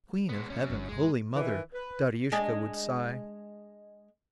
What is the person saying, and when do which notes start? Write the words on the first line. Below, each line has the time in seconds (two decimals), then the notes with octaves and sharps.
"Queen of Heaven, Holy Mother..." Daryushka would sigh.
0.29 G#3 B3
0.50 F#2 A#2 C#4
0.70 G1
0.88 A1 F#2 G#3
1.34 D#3 E3
1.72 B4
2.32 G#3 D4 G#4